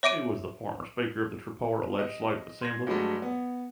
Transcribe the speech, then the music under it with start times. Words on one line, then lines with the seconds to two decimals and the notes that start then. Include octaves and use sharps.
He was the former Speaker of Tripura Legislative Assembly.
0.03 C#5 E5 D6 D7 D#7
1.99 D#5
2.62 C6 G#6 A#6
2.87 G2 F#3 G#3 A3
3.22 B3